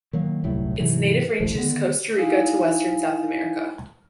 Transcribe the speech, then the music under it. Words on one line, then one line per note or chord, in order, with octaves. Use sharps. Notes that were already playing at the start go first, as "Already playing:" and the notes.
Its native range is Costa Rica to Western South America.
D#3 F#3 A#3
D#1 C2 A2 F#3
G#2 C3 E3 F#3
D#1 A1 F3
D3 D#3 B3
D#4 E4 F5 G#5